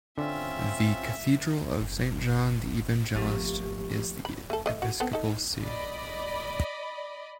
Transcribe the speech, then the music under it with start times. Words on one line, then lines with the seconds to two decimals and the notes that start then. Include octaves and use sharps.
The Cathedral of Saint John the Evangelist is the episcopal see.
0.18 D3 C4 C#4 F4 E5
1.81 F#1 F2
3.15 G#1 F3 A3 A#3 G4
4.25 B5
4.50 A3 A4
4.66 A3 D#5
4.82 F#4
5.00 B3 C4 A4
5.13 D#4 A4
5.61 D5 D#5 B5